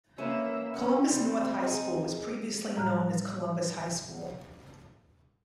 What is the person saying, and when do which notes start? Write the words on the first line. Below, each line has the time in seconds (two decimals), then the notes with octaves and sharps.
Columbus North High School was previously known as Columbus High School.
0.18 A#3 C#4 B4 E5
0.74 B3 C#4
1.09 G3 C4
1.63 D#4 E4 G#4
2.77 A2 G3 A#5 F6 F#6